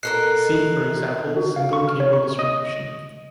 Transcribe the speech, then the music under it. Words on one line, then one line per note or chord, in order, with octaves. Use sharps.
See, for example, single cable distribution.
B2 A4 A#4 F#6 C7 C#7
F#4
F5
C#6
F6
C#5
C#6
D#5